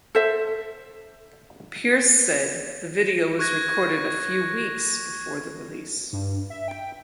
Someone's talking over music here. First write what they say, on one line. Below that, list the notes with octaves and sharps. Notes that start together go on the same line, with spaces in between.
Pearce said the video was recorded "a few weeks" before the release.
A4 C5 E5
C#6 F#6 G#6 A#6
G2
E5
G5